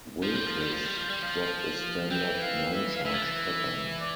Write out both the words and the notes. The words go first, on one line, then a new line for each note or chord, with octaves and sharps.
"Wilkes" dropped a standard nine-charge pattern.
F3 C5
G3
F3
G3
F3
G3
F3
G3
F3
E3 G5
F5
E5
F5
E3 E5
F3
E3
D5